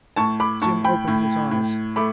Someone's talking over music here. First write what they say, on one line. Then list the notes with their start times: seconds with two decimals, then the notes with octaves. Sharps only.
Jim opened his eyes.
0.16 A2 A5 C#6
0.40 B5 D6
0.62 A2 A5 C#6
0.85 G5 B5
1.07 A2
1.51 A2
1.96 A3 B5 D6